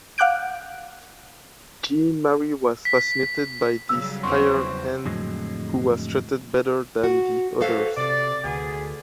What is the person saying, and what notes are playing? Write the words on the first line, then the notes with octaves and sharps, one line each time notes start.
Jeanne-Marie was fascinated by this hired hand who was treated better than the others.
F5 F#5 D6 F#6 G6 D7
B6
C#3 F#3 G3 E6
E2 C4 C6 C#6
F2 A2 D3 F#3 G#3
F#4
E3 F#3 F#4 A4 C5 F5
C3 D5
D2 B3 G#4